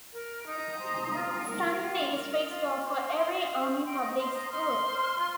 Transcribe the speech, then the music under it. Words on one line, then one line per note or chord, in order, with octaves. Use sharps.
Sunday is fixed off for every Army Public School.
A#4
D#4 A#5 D#6
C5
F4
A#4
F4
A#4
F4
C5
G6
D#4 C6 F6
F5
G4 C5 F5
D#4 G5 C6
A#5 D#6
C5 C6 F6
A#5 D#6
D#4 C6 F6
C5
F4